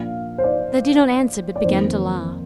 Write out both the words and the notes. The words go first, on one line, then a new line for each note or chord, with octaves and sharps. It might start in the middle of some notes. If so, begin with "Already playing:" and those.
They did not answer but began to laugh.
Already playing: A#2 F3 A#3 D4 F5
C5
D5
D5
F2 D#3 A#3 C5